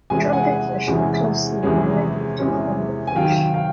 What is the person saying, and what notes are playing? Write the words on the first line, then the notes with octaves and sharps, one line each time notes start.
Trumpetfish are closely related to cornetfish.
E2 C3 E3 G#3 C#4 G#5
F#5 G#5
E2 C3 E3 G#3 C#4
E2 C3 E3 G#3 C#4
E2 C3 E3 G#3 C#4
G#5
C3 D#3 F#3 F5 G5
F5 G5